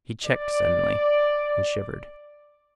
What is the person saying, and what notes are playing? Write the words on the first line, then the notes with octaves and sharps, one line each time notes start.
He checked suddenly, and shivered.
D5